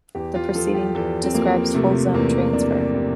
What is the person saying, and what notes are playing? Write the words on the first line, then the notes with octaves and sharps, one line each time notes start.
The preceding describes full zone transfer.
E2 G4
F4
F3 A4
G4
E2 A4
C4
F3 A#3
C3 A3
E2 A#3
C3 D4
C3